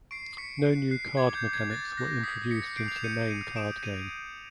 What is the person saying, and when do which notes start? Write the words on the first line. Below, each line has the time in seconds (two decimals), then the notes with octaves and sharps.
No new card mechanics were introduced into the main card game.
0.11 C#6 C7 D7
0.38 C#6 B6 C#7
0.65 F#6 C7
0.91 F#6 C7
1.17 D6 G#6
1.35 G6
1.45 D6
1.53 G#6
1.70 F#6 A6
1.97 F#6 A#6
2.23 D#6 B6
2.50 D#6 B6 C#7
2.76 G6 C7 D7
2.88 F7
2.96 E7
3.04 G6 C#7 D#7
3.30 D#6 C#7 D#7
3.56 D#6 D7 E7
3.83 G6 D#7 F7
4.10 G6